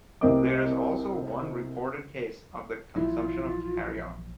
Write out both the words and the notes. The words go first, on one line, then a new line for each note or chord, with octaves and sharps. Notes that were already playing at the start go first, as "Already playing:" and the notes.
There is also one reported case of the consumption of carrion.
C2 A3 C4 A#4 D#5 D6
A#1 E3 F#3 E4 F4